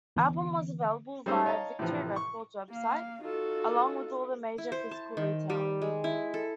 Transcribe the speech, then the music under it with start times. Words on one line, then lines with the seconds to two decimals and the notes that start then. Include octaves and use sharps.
Album was available via Victory Records website, along with all the major physical retailers.
0.16 D3 E3 B3
1.26 G3 G#3 C#4 D#4 C5 E6
1.46 C#5 D#5 F5 A5 A#5
1.79 A2 C3 E3 F3
2.16 C#6
2.69 A#3 F5
3.21 D#4 F4 F#4 A4
4.58 E4
4.72 C5
4.91 A5
5.17 D#3
5.50 G3
5.82 G#3
6.04 E4
6.34 A4